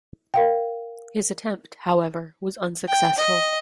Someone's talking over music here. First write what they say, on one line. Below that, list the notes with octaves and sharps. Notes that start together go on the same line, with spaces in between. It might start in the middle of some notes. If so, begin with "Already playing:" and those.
His attempt, however, was unsuccessful.
A#4 F5 G5
G5
D#5